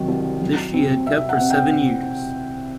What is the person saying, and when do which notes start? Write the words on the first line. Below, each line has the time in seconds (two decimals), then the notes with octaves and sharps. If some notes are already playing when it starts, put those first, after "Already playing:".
This she had kept for seven years.
Already playing: C3 D#3 F#3
0.08 C2
0.41 F#3
0.74 C4
1.07 C3 E5
1.29 F#5
1.40 C3
1.50 G5